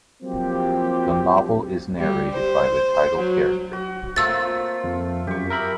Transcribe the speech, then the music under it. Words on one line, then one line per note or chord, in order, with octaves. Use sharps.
The novel is narrated by the title character.
F3 F#3 A#3 C4 F4 G4
G3
C5
F#3
F#4
A3 A#3 C4 F4 E6 A6
F2
F#2 G4 C#6
A#4 E5 B5